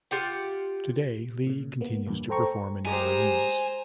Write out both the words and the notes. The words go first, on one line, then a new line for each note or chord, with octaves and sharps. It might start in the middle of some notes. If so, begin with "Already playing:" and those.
Today Lee continues to perform in New Orleans.
F4 G4 F#5
A#2 C#3
A#3 B3
E2 G2 A#2
A4 C5 G5 A#5 C#6
G3 G#3 G4 C5 G#5 A#5